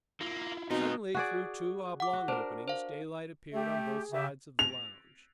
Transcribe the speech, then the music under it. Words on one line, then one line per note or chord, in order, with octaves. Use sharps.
Suddenly, through two oblong openings, daylight appeared on both sides of the lounge.
A#3 E4 F4
F#2 B2 C4 D#4 F4 D#5
F#4 G#4 D5
F#5 D6
F#4
D4 A#4 C5
C5 F5
A3 G4 E5
G#4
C#3 G4 E5
F7